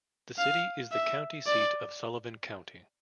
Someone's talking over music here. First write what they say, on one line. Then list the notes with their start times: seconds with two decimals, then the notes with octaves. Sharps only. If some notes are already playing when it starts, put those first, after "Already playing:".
The city is the county seat of Sullivan County.
0.38 F5
0.92 E5
1.47 D5